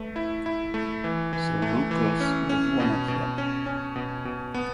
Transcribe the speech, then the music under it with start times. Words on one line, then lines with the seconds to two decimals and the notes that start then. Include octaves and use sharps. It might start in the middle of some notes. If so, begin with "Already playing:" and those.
Sir Lucas was one of them.
Already playing: A3 B4
0.16 E4
0.46 E4
0.74 A3
1.04 E3
1.33 E3
1.62 A3
1.91 E3
2.20 C#4
2.49 C#4
2.80 B2
3.08 B2
3.38 C#4
3.66 C#4
3.96 B2
4.25 B2
4.54 B3